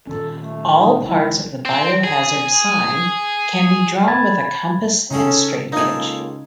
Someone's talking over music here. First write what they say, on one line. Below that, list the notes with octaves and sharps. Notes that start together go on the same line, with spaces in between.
All parts of the biohazard sign can be drawn with a compass and straightedge.
A#2 D#3 C#4 A4
A3
D#4
B1 C#3 G#3 E4
C4
G#4
B5 G#6 A6
C#3 C#4 D#4 G#4 A4
C#2 A#3 D#4 A4 G#5